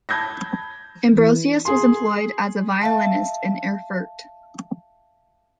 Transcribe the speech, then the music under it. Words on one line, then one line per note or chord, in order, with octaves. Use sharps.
Ambrosius was employed as a violinist in Erfurt.
A5 B5 G6 G#6 A#6
E3
G#4 C6
E5 F5 A5